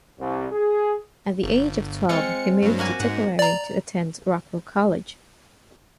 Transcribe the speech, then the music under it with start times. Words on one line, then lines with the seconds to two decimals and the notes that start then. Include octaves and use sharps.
At the age of twelve, he moved to Tipperary to attend Rockwell College.
0.20 C2
0.52 G#4
1.44 G1
2.09 G#3 C4 F4 C#7
2.63 G2 F#3
2.79 A#3 F#4 G#5
3.00 G#2 F#5
3.39 D5 A#5